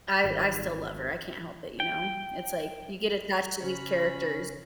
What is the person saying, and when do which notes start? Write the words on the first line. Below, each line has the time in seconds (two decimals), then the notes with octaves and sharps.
I I still love her, I can't help it, you know, it's like you get attached to these characters.
0.24 G#1
1.80 G5
3.59 C#3 C#4 F#4 C5 C#5 F#5 B5